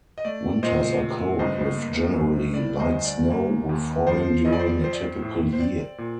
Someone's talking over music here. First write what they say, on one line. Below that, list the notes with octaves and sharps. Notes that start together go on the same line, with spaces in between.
Winters are cold with generally light snow, with falling during a typical year.
D#5
A3 D5
A#2 C5 D#5
A3
G2 C5 D#5
A#3
G2
G3 D5
C5 D#5
D2
D5
A#3
D#2
F3 C5
F2 D#5
D5
C5
D5
C4 C5
D5
C5
A2
C5
C4 D5
A#2